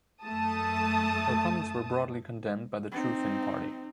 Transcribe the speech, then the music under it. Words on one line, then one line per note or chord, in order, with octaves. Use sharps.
Her comments were broadly condemned by the True Finn party.
F#2 A3 A5 D#6
C4 D#4